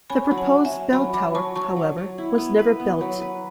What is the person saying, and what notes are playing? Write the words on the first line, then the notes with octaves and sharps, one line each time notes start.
The proposed bell tower, however, was never built.
C#4 G#5 B5
F#3
F#5 A5
F#3
E5 G#5
C#4
F#3 G#5 B5
F#3 B5 D6
F#3 A5 C#6
F#3 A5 C#6
F#3
F#3
E4
B3
B4
B3
F#3
B4